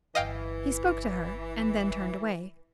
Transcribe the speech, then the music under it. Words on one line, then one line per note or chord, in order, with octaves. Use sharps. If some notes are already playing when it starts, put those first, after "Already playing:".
He spoke to her, and then turned away.
G1 E3 D#5 F5 G5 G#5